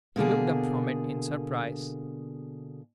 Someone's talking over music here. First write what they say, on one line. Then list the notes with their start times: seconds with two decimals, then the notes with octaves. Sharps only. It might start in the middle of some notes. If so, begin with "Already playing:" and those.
He looked up from it in surprise.
0.16 B2 D3 A#3 G#4